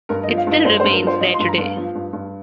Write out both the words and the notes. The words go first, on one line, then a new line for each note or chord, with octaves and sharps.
It still remains there today.
G2 A#4
D#5
F3
F5
G2
D#5
G2 C5
C5
G2
A#4
F3 C5
F3 D#5
C6
G2
A#5
G2 F5
F3
G2
G2